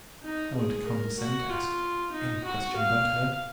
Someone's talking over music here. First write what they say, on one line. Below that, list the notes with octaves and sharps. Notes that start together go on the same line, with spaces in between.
I won't condescend to ask any question about her.
D#4
G#4
A#4
F#4
F4
D#4
F#4
F5